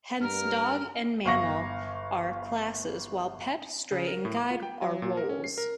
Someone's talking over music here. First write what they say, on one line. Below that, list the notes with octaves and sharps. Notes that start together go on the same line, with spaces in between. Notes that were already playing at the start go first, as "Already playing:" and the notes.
Hence, Dog and Mammal are classes, while Pet, Stray, and Guide are roles.
G2 A#4 F6
G1 F5 C#6 A#6
C#3
A#4
A2
D6
F4
G5
F#3
A#2
A#4
C#4
C7
A#4